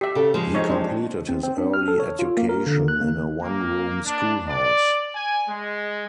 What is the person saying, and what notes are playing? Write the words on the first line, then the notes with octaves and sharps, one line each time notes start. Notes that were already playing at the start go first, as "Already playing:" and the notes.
He completed his early education in a one-room schoolhouse.
G4 E5
C#3 A4
F3 G#3
C4 D#4 C#5
C4 D4
C4
C4
D4
F6
A4
C#5
F4
A#3
A#4
D3
F#6
A#3
A#3
D4
D5
G#5
G#3